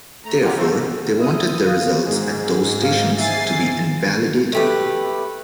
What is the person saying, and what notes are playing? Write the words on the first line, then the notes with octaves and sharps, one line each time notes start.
Therefore, they wanted the results at those stations to be invalidated.
A3 A#5
B3 C#4 D#4 F4 G4
D#4 F4 F#4 A4 C5
A#3
E4 D#6
F5
G#2 G#4
F5
E5 G#5 A6 C7
A3 G4 B4